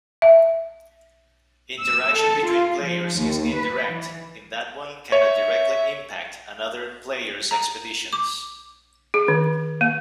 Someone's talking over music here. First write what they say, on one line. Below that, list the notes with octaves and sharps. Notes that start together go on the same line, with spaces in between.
Interaction between players is indirect, in that one cannot directly impact another player's expeditions.
E5
E6
A4
F4
F3
D#2
B4
E3
C#5 E5
A#5
D6
G#4
D#3
A#3